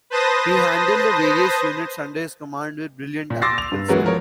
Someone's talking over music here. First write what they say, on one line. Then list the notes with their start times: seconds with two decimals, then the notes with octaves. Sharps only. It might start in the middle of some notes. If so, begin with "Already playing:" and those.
He handled the various units under his command with brilliant tactical skill.
0.10 B4 C5 A5 D#6 A#6
3.30 A#2
3.42 C6 D6 E6 A6 A#6 C7
3.58 F7
3.72 G2
3.88 E3 F#3 G#3 B3 C#4 A#4
4.03 F3 B3 A#4 C#5